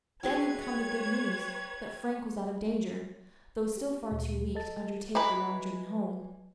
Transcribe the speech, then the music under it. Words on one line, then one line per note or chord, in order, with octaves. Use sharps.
Then had come the good news that Frank was out of danger, though still far too weak to undertake the long journey home.
F#3 G#3 G#4 B4 C#5 G5 G#6
G4
D2 A#2
A4 D#5 A5 A6
E3 G#3 B4